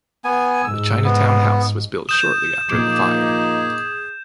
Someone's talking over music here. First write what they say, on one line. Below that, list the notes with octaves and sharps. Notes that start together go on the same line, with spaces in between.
The Chinatown House was built shortly after the fire.
B3 G#5
G#2 E6
B3
D#6 G6 E7
A#2 F3 A#3 D#4 G#4 D6